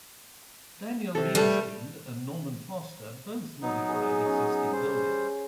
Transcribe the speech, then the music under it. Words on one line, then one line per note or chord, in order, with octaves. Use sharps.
Daniel Libeskind and Norman Foster both modified existing buildings.
C3 A4
G3 A3 A4 B4
F#3 B3 D#4
G#4 B4 D#5
C#4 G#4 F#5
G3 G#4 C5